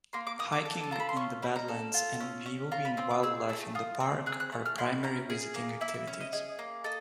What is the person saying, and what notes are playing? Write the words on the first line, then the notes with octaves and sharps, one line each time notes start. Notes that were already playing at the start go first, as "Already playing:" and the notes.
Hiking in the badlands and viewing wildlife in the park are primary visiting activities.
A#3 C6
D6
A#3 D#6
D6
A4
A5
F4 A#5
B5
C6
C#4 C#6
C#4 B5
A#5
A4
F4
C#4
C#4
F4 A#5
B5
C4 C6
D6
G#4 E6
A3 E6
F4 D#6
C4 E6
G#4 F#6
F#6
A3
F6
E4 C6
C#4 A#5
G#4
A#3
E4 E5
E5
C#4 E5
D#5
G#4 D#5
A#3
A4 D#5